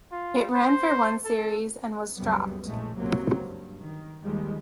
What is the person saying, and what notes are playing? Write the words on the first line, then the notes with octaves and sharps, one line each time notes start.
It ran for one series and was dropped.
F4
C5
A4
C#2 F#2 G3 B3
A#1 A2 G#3 A3
F#1 C#2 C3 F#3 A#3 C4
G2
D#3
D#2 D#3 F3 G3 G#3